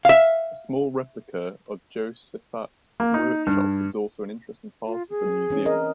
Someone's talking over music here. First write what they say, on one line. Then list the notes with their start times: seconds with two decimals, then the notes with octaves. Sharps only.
A small replica of Josafat's workshop is also an interesting part of the museum.
0.05 E5 F5
3.00 A#3
3.14 D#4
3.47 G2
4.87 F4
5.10 G#4
5.50 E3 C4 C#4
5.66 A#4 D#5